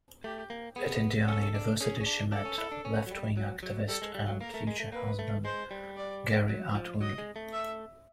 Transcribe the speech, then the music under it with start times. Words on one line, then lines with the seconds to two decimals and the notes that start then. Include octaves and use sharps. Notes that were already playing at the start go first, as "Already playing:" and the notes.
At Indiana University she met leftwing activist and future husband Gary Atwood.
0.24 A3 G4
0.50 A#3
0.76 B3 G#4
1.28 C#4 A4
1.55 D4
1.80 C#4 G#4
2.01 C#4
2.06 D4
2.32 D4 A4
2.45 C#4
2.58 E4
2.72 D4
2.85 C#4
3.06 F#3
3.11 G3
3.37 F#3
3.63 F#3
3.88 G3 A4
4.02 G#3
4.15 G3
4.28 F#3
4.41 A#3 A#4
4.54 A3
4.67 G#3
4.80 A3
4.92 A#3 B4
5.19 A3
5.45 G#3 C5
5.71 G3
5.97 D5
6.49 F#3
6.75 F3
7.01 F#3 D#5
7.18 G#3
7.36 A3
7.53 E5